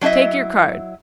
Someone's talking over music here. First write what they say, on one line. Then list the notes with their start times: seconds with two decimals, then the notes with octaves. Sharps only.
Take your cards.
0.01 F#3 D4 E4 D#5 E5